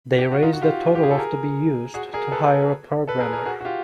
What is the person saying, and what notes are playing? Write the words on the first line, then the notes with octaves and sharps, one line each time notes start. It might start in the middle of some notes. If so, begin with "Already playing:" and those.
They raised a total of to be used to hire a programmer.
G4
F#4
D#4 F4
F#4
F4 G4
G4
G#4
A4
G#4 A#4
F#4 G#4
G#4 A#4
A4 B4
A4 B4
G#4 A#4
G#4 A#4
F#4 G#4
F#4
F4 G4